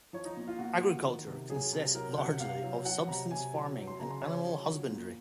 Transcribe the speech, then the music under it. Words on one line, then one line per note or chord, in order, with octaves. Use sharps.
Agriculture consists largely of subsistence farming and animal husbandry.
F3 C#5
D#4
A#2
F4
A#2 F#4
F3
D#3
C3
F#3 G#4
C3
F#3 A#4
C3 F#5
C3 F5
F#3
F#3 F#5
C3 A#5
C3 G#5
F#3
F#3
C6
C#3 A#5
C6
C#3 C#5
F#3
F3
A#2